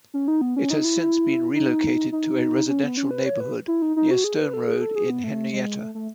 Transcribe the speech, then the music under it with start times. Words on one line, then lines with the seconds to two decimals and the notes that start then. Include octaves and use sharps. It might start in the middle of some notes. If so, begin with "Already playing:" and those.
It has since been relocated to a residential neighborhood near Stone Road in Henrietta.
0.14 C#4
0.28 D#4
0.41 B3
0.56 C#4
0.70 D#4
0.84 E4
1.55 D#4
2.12 D#4
2.69 C#4
2.83 B3
2.97 C#4
3.11 B4
3.26 C#5
3.40 B4
3.68 E4
3.82 D#4
3.96 D#4
4.11 F#4
4.24 G#4
4.39 B4
4.53 A4
4.68 G#4
4.81 A4
4.95 G#4
5.10 B3
5.24 A3
5.53 G#3
5.81 A3
5.95 A3